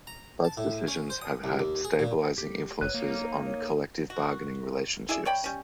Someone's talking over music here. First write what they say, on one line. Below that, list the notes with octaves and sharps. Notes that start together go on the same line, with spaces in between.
Both decisions have had stabilizing influences on collective bargaining relationships.
A#5
A5
A2
C#4
C5
D#6
C2
D#2
G#4
A#2
G4
F1 F#3 B4 C#5 F#6
A#3 D#4
C#5
F#4
E4 G#4 D5 E5
C#5 D5 G5 B5
G3 C#4